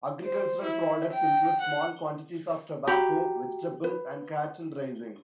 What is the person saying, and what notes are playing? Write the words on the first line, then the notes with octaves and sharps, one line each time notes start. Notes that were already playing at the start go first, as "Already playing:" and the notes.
Agricultural products include small quantities of tobacco, vegetables, and cattle raising.
C5
E4
G5
F#5
F#4 G4 A#5 B5
B4